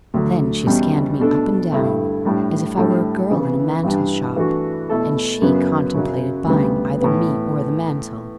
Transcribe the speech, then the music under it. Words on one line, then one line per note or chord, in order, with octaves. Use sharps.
Then she scanned me up and down, as if I were a girl in a mantle shop, and she contemplated buying either me or the mantle.
D2 D3 F#3
E2 B2 G3 C#4
B2 A3 D4 A4
G2 D3 A3 E4
A2 G3 D4
A2 G3 D4 A4
C#3 E3 B3
G2 E3 G3 D4
E3 A3 D4 F#4
B2 A3 E4 A4
F#2 C#3 F#3 B3
F#2 C#3 F#3
D2 C#3 G3 B3
A2 E3 B3